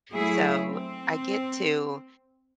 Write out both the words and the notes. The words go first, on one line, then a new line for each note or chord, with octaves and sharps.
So, I get to,
F#3 A3 E4 G#4
C4